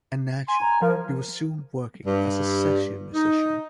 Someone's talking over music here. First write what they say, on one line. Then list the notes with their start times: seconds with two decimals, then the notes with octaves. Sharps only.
A natural, he was soon working as a session musician.
0.48 G#5 C6
0.61 A#5
0.82 F3 A#4
2.06 G2
3.15 D#4